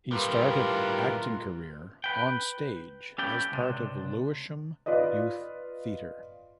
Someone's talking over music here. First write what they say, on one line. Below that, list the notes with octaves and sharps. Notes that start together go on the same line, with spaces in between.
He started acting career on stage as part of Lewisham youth theatre.
A2 G3 F4 A#4 B4
B4 G5
C#4 G4 A4 B4 G5
C#2 C3 D4
F4 B4 D5 D#5